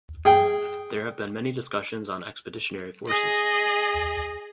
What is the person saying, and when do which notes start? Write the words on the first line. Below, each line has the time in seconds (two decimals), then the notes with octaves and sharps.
There have been many discussions on expeditionary forces.
0.25 G#4 G5
3.07 G#4 D#5